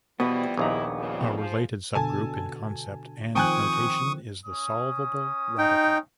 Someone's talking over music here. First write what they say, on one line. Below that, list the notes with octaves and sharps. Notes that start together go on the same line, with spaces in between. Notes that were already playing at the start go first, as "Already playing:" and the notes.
A related subgroup in concept and notation is the solvable radical.
B2 E3 F3 G3 B3 B4
A#1 D#2 G#2 E4 D#5 A#5
F2 A#2 C#3
F3 G#4
B2 D3 A4 G#5 A5
D#3 F3 C4 G5 G#5 C#6 D#6 F#6
C#4 D#6
D#4 G5